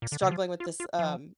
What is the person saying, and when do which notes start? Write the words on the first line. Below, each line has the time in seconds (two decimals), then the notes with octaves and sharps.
Struggling with this, um,
0.02 A#2
0.12 D3
0.22 C3
0.27 D3
0.31 F3
0.60 F4
0.80 F4
0.99 F3